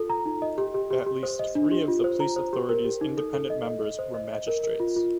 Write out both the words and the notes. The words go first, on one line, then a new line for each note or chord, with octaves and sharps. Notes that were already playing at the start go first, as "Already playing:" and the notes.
At least three of the police authority's independent members were magistrates.
Already playing: F4 A4
A#5
D#4
D#5
G4
G4
G4
G4
C5
D#5
D4
G4
F4
C5
A#5
C5
G4
A#4
G4
D#4
A4
A4
D#5
D#5
D#5
C5
D#5
D#5
A#4
A#4
F4
F4